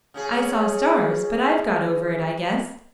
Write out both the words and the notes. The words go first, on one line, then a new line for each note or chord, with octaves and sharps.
I saw stars, but I've got over it, I guess.
C#3 C#4 G#4